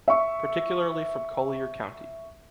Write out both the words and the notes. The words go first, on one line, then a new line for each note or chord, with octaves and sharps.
Particularly from Colliure county.
E5 C#6